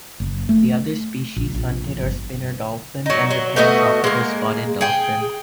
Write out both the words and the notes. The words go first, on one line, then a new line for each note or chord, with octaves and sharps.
The other species hunted are Spinner Dolphin and the Pantropical Spotted Dolphin.
F#1
A3
A#1
A#1
G1
F#3 D#4
F#3
A3 B3 F#4 D#5
G#3 A#3
G#4 G5